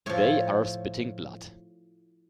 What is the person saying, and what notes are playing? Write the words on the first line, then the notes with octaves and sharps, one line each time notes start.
They are spitting blood.
A2 F3 C#5